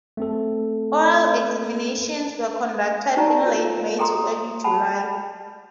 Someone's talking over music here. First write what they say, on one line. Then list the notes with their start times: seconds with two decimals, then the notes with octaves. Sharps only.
Oral examinations were conducted in late May to early July.
0.17 A3 C4 A4
3.17 D#4 G4 C5 D5 A5 A#5
3.46 F4 A#4 C#5 F5
3.99 G#4 A4 G5 A#5 C6 D#6
4.64 F#5 G5 A5 B5